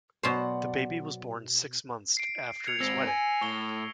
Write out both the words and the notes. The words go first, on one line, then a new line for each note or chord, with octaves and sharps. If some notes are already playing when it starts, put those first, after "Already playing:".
The baby was born six months after his wedding.
B2 F#3 C5 D5 F#5
C7 D7
G#6 C#7 F7
G#2 C4 E6 A#6 C7
G#5
A2 C#6 G7